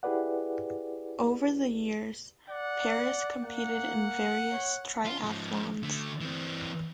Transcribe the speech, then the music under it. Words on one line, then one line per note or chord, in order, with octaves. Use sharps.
Over the years, Paris competed in various triathlons.
E4 G4 G#4 B4 D5 F#5
D5 F#5
A#3 F#5
C#5
F4
G#2 F3
D3 A3
E3 C4